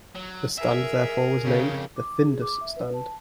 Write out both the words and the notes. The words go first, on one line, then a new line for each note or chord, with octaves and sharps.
The stand therefore was named the "Findus Stand".
F#3
G#4 A#4 E5
F2 C#3 G4
D6
G#4
D6
E5
B4
A5